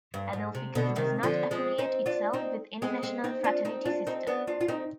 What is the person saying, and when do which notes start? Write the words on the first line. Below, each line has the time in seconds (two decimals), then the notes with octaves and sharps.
Adelphikos does not affiliate itself with any national fraternity system.
0.14 G2
0.33 G#2
0.55 C3
0.75 B2 D3
0.96 C3 D#3
1.23 D3 F3
1.51 F3 G#3
1.78 C4 D#4
2.06 D4 F4
2.33 C4 D#4
2.82 G#3 C4
3.03 G#3 C4
3.24 C4 D#4
3.44 D4 F4
3.65 C4 D#4
3.86 D4 F4
4.07 C4 D#4
4.27 B3 D4
4.47 D4 F4
4.61 F4
4.68 C4 D#4